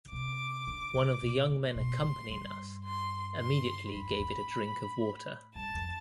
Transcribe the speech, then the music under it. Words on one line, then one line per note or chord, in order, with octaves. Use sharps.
One of the young men accompanying us immediately gave it a drink of water.
C3 D6
D3
C3
B2
A2
B2 C6
A2
G2
C6
C6
F2 B5
A2
G2 A5
F2